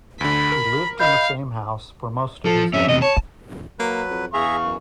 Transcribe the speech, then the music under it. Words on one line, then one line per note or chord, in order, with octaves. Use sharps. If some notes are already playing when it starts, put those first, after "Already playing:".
He lived in the same house for most of his life.
D2 D3 B5
A#4
D#5 F5 B5 G6
F3 A4
F2 C#4 E5
E2 C3 D#5
C#5 A5
F#3 A#3 B4
F2
E2 G#4 E5 F5 A#5 C#6
F#2